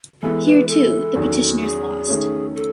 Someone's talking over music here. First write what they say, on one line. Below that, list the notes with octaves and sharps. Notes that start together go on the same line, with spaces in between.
Here too, the petitioners lost.
E3 G#3 B3 E4 A4
B4
A4
E2 D#3 F#3 C#4 F#4
G#4
D#3 A3 C#4
A4